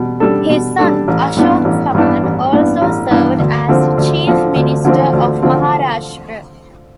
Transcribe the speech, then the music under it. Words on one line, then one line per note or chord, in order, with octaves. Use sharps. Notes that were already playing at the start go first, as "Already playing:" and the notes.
His son Ashok Chavan also served as chief minister of Maharashtra.
Already playing: B2 G3
G3 D4 A4
B2
G3 D4 A4
A1
G2 E3 B3 D4
A1
G2 E3 B3 D4
A1
G2 E3 B3 D4
A1
G2 E3 B3 D4
D2
D3 F3 C4
D2
D3 F3 C4
D2
D3 F3 C4
D2
D3 F3 C4